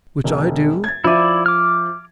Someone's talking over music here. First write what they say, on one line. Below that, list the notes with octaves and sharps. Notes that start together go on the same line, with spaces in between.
"Which I do."
E1
G#6 A6
F3 E4 D5 E5 D#7
D6 F6